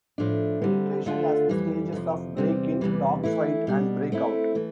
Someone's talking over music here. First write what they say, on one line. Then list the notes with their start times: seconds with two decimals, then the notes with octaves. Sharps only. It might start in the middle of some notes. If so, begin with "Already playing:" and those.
Penetration has the stages of break in, dog fight and break-out.
0.18 A2 F3 A3 D4
0.62 D3 G3 C4
1.05 D2 D3 A3 D4 F4
1.49 F2 E3 G3
1.93 F2 C3 F3
2.37 E2 C3 G3 C4
2.81 E2 C3 E3 G3
3.23 E3 A3 E4
3.67 B2 G3 D4
4.12 A3 C4 E4
4.55 E3 A3